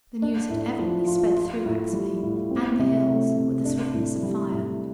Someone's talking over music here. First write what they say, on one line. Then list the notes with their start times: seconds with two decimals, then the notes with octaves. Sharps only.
The news had evidently sped through Axphain and the hills with the swiftness of fire.
0.22 D4
0.50 A2
0.79 F3
1.07 F4
1.37 F4
1.66 A2
1.93 G3
2.23 A2
2.51 C4
2.79 C3
3.08 A3
3.37 C3
3.65 D4
3.94 A2
4.23 G3
4.51 A2